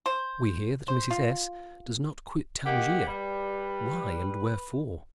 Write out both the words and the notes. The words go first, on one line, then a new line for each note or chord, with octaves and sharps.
We hear that Mrs. S. does not quit Tangier: why and wherefore?
C5
C5
F4
D#3 A#3 G4 F#5
G3 B4